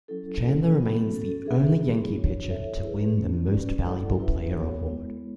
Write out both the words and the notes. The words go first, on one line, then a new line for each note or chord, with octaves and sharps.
Chandler remains the only Yankee pitcher to win the Most Valuable Player award.
F#3 C#4 E4 A4
A3 C#4 E4 A4
F#3 B3 F#4 A4
C#4 F#4 A4
D4 G#4 B4 E5
F#3 B3 E4 G#4
D4 F#4 C#5
E4 A4 C#5 E5
E4 G#4 B4
A3 C#4 E4
G#3 C#4 F#4 B4 D5
E4 A4 D5 F#5
C#4 E4 B4 E5
B3 F#4 A4 C#5
G#3 B3 E4